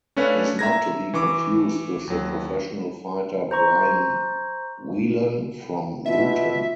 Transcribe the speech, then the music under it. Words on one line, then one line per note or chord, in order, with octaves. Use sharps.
He is not to be confused with the professional fighter Brian Whelan from Luton.
A3 C#4 D4 B4 C#5 F5
E5 A#5 G#6 A#6
E3 C#6 D6
D#2 F#3
C5 A#5 C#6
B2 F4 E5